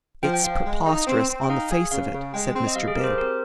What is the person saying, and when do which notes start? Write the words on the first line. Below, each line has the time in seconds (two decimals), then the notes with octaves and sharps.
"It's preposterous on the face of it," said Mr. Bib.
0.23 F3 G5
0.34 G5
0.43 F3 F5
0.65 G#3
0.85 D#4
1.07 C4
1.28 C4
1.44 G5
1.49 D#4 F5
1.70 G#4
1.91 C#3 F5
2.13 C#3
2.33 G#3 G5
2.54 C4
2.67 D#5
2.75 G3 F5
2.88 G#4
2.96 G4 A#4
3.04 C5
3.18 C4 A#4